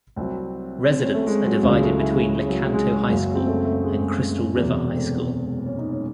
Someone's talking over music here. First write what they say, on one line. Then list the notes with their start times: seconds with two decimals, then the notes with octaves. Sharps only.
Residents are divided between Lecanto High School and Crystal River High School.
0.16 C2 C3 F#3 C4
0.90 C4
1.02 C#4
1.14 A3
1.27 G#3
1.45 F#3
1.63 C#2 C#3 F#3 G#3
1.75 G#3
1.82 A3
2.00 E4
2.12 G#3
2.37 G#3
2.49 F#3
2.61 G#3
2.73 G#3
3.10 F#1 F#2 C#3 F#3
3.35 C4
3.47 A3
3.65 A3
3.83 G#3
4.56 E1 E2 C3 F#3
4.88 C4
4.93 A3
5.66 C#4
5.78 D#4
5.91 C#4